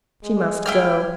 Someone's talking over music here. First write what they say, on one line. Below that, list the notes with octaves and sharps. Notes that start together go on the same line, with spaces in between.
She must go.
G#3
E4 G5 F6